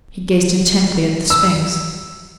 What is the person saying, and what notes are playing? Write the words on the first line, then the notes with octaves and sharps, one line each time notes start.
He gazed intently at the sphinx.
E6